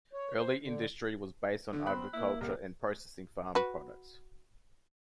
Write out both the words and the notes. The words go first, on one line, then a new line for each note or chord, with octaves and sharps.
Early industry was based on agriculture and processing farm products.
C#5
C5
D3
D3
B3 C4 B5 F#6
A#3 E4
C2 A#4
F#4 B4